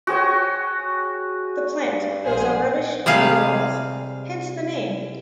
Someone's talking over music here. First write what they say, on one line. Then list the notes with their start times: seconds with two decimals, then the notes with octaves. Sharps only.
The plant grows on rubbish and on walls, hence the name.
0.07 F#4 G#4 C#5 G5
1.84 G2
2.24 A#1 G#4 C5
3.06 C3 G3 G#4 F5